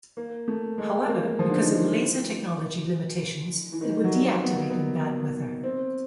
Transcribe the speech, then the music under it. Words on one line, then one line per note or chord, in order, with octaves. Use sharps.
However, because of laser technology limitations, it would deactivate in bad weather.
A#3
A3
G#3
A#3
F3
D3
D#3
E3
E3
D#3
F#3
G3
B3
A#3
B3
C4